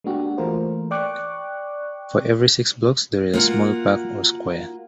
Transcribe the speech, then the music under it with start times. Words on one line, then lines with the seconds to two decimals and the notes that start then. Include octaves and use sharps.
For every six blocks, there is a small park or square.
0.04 G#3 A#3 D4 F#4 G4
0.38 E3 A3 A#3 F4 A#4 C5
0.91 D5 G5 C#6 D6 F#6
3.34 A#3 F4 F#4 F#5